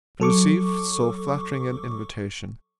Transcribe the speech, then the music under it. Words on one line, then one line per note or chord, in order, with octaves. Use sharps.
To receive so flattering an invitation!
F#3 A4 C#6 D6